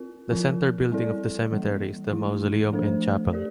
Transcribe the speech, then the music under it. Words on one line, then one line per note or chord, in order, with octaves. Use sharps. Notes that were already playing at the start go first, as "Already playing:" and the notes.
The center building of the cemetery is the mausoleum and chapel.
Already playing: C4 F4 A#4
F3 C4 F4 A#4
G3 C4 E4 A4 D5
E3 G3 A#3
E3 A3 E4
F3 A3 D4 A4 C5
G4 A#4 D5